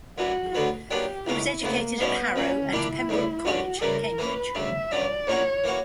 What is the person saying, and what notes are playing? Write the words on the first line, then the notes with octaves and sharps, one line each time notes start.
He was educated at Harrow and Pembroke College, Cambridge.
F#2 E3 G3 F#4
D2 D3 F#3 B3
A#2 F#3 B3 D4 G4
C#2 B2 A#3 C#4 E4
D2 C#3 E3 A#3 B3
B1 B2 G3 B3 C#4 E4
A#1 A#2 F#3 C#4
A#2 G3 A#3 D4 E4 G4
D2 C#3 G3
G2 D3 G3 C#4 F#4 G4
F#2 C#3 E3 G3 A#4
E3 A#3 C#4 B4
D2 C#3 G3 E5
G2 F#3 C#4 D5
A#1 A#2 A#3 C#4 F#4 C#5
E3 A#3 C#4 F#4